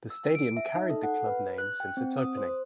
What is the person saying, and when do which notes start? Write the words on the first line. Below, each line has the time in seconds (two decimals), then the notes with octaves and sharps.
The stadium carried the club name since its opening.
0.10 E6
0.35 D7
0.57 E5
0.75 D#4
0.90 A4
1.03 F#5
1.26 B4
1.58 F#6
1.80 G5
1.97 C4
2.18 D#6
2.37 C5